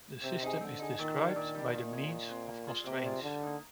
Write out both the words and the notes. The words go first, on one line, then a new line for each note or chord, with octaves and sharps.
The system is described by the means of constraints.
C3 C4
D#4 G#4
D3 C4
D#4 G#4
A#2 D#3
G3 D4
A#2 D#3
G3 D4
A#2 D#3
G#3 C4
D#3
G#3 C4
A#3
F4 G#4 D5 F5
C3 A#3
F4 G#4 D5 F5
D3 G3
A#3 D#4